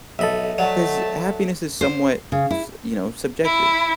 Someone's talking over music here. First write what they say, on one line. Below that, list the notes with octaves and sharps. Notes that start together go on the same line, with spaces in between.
'cause happiness is somewhat, s you know, subjective
B1 A4 D#5 E5 B5
F#3 A3 D5 F#5 A5
C5
C#3
E4
E4